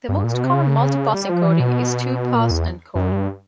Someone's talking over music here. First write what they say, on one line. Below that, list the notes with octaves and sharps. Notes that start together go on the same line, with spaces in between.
The most common multi-pass encoding is two-pass encoding.
G2
A#2
B2
C3
C#3
G3
F3
E3
B2
A#2
E2
F#2
G2